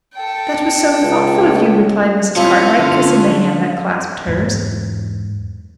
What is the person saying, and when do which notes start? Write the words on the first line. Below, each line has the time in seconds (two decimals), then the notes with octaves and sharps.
"That was so thoughtful of you!" replied Mrs. Cartwright, kissing the hand that clasped hers.
0.14 A4 G5
1.02 C#2
2.36 F3 G3 A#3 C4 C#4 E4 F4 C#5
2.78 D3
4.27 E2 G#2